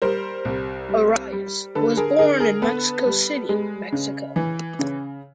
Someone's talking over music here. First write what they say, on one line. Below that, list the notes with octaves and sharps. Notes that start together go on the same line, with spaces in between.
Arias was born in Mexico City, Mexico.
G3 A#4 C5
C2
G3
G3
D3 A4 B4
G#4 A#4
D3 G#4 A#4
G#4 A#4
B3 A4 B4
G3
G#3
C#3
E3
C#3